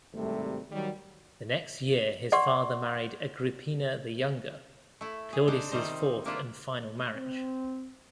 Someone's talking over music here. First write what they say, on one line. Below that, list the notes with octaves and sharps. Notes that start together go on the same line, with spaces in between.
The next year, his father married Agrippina the Younger, Claudius' fourth and final marriage.
G#1 G2 C3 G3 A3
D#3 F#3 G3
D5 F#5 C6 C#6
A3 E4
G#4
D4 D#4 C5 A5
C3 D#3 G3 D#4 C5
A#3 D4 E4 F4
C4